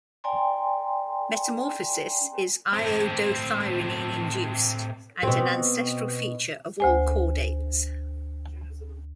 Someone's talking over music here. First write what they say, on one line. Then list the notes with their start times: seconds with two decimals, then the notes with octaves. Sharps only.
Metamorphosis is iodothyronine-induced and an ancestral feature of all chordates.
0.24 D5 G5 G#5 A#5 C6
2.73 A2 C4
5.23 B2 C4
6.80 D2 C5 G#5